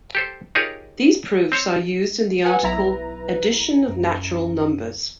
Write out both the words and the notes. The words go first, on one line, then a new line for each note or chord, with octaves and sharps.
These proofs are used in the article Addition of natural numbers.
G4 A4 C5
D#4 F4 G4 G#4 A#4 C#5
C4 C5 C#5
B4 F#5 G#5
B1 E4 A#5
F#2